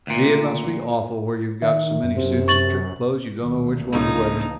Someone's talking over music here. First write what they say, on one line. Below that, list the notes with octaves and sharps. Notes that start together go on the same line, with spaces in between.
Gee, it must be awful where you've got so many suits of trick clothes you don't know which one to wear.
D2 A#2
D#3 E5
F#2
C3
C#6 A6 F#7
D2 A#2 D#3
C#2 A2 E3 A#3 D4 D#4